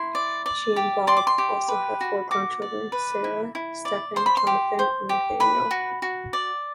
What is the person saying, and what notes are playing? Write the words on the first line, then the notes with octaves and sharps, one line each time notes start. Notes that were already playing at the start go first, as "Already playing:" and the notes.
She and Bob also have four grown children: Sarah, Stephan, Jonathan, and Nathaniel.
Already playing: E4 C6
D5
D5
G4
D5 C6
D6
C6
G4
B4
F#4
F#4 D6
D5
B4
E4
E4
D5
C5 C6
B5
C6
G4
C5
G4
B4 B5
F#4
F#4
D5